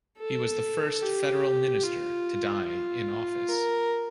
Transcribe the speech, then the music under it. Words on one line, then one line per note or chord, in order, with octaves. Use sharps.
He was the first federal Minister to die in office.
A4
G4
F4
F4
A#4